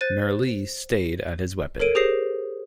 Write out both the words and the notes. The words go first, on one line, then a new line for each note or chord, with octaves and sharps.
Merli stayed at his weapon.
C5 F#6 A6 D#7
A4 A#4 C#5 D7 D#7
G4 G#4 C5 D#6 A#6 C7